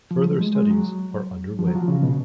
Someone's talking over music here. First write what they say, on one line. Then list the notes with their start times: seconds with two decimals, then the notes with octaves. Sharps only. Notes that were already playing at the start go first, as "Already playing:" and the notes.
Further studies are underway.
0.11 F3
0.26 F#3
0.40 G#3
0.55 G#3
0.70 F#3
1.59 F3
1.67 F#3
1.75 F3
1.88 C#3
2.03 B2